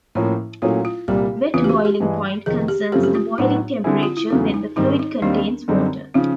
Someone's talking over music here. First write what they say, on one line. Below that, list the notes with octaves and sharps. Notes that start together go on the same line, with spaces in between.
Wet boiling point concerns the boiling temperature when the fluid contains water.
A2 F3 A#3 C#4 E4
A#2 F#3 A3 C#4 E4
F4
C2 A#2 G3 A#3 G4
E2 C#3 E3 F4
G4
F#4
G4
G2 E3 G#3
F2 C3 D#3 G#4
G4
F#2 C#3 F3 A3 C4 G4
G4
F4
A2 F#3 B3 D4 D#4 F#4
D3 G3 C4 E4 G#4
F4
E4
E2 C#3 F#3 A3 D#4
D#4
G#2 D#3 G3 C4 D#4
D#4
D#2 D#3 G3 C4 D4
F#2 D3 G3 C4 D#4
C#3 F3 D#4